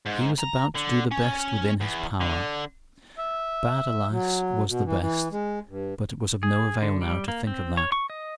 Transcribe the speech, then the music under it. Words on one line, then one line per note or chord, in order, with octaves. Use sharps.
He was about to do the best within his power. Bad, alas, was the best, but it was of no avail now to think of that.
G#2
A#5
D3
C#4
E2
D3
E5
F#3
B2
E3
E3
G#3
G2
G#4
D3
G3
A#3
C4
C#5
C#6
D#5